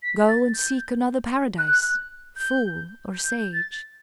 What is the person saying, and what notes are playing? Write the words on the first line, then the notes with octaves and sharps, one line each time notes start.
Go and seek another paradise, fool or sage.
B6
A6
G6
F#6
G6
G6
A6